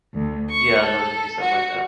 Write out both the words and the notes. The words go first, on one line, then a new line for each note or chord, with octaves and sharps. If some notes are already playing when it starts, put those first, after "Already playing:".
yeah, I'd love it to be something like that.
D2
C#6
A4
F#4